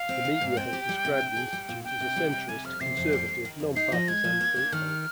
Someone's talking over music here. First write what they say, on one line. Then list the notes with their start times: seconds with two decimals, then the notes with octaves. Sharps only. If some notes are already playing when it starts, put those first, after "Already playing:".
The media has described the Institute as a centrist, conservative, non-partisan, think tank.
Already playing: F5
0.09 C4
0.25 D#3
0.41 G#2
0.57 C4 G5
0.73 G4
0.89 G3
1.05 C3
1.21 D4
1.37 G#4
1.53 G3
1.69 A#2
1.84 D4 G5
2.00 C3
2.16 G3
2.33 C3
2.49 G3 G#5
2.65 F2 F6
2.81 C3 C7
2.97 F2
3.13 G3
3.28 F2
3.45 D#3
3.60 F2
3.76 D#4 C7
3.92 F3 A#6
4.08 G#3 G#6
4.24 F3
4.41 A#3
4.56 D4
4.72 D#3 F6